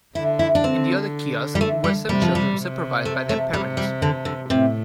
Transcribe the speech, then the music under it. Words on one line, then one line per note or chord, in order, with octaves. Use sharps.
In the other kiosk were some children supervised by their parents.
D3 E4
E4
D4
D3 C4
G3
A3
G3
C3 G3
F3
G3
C3
A3
A3
C3 G3
G3
D3
D3
A2 C3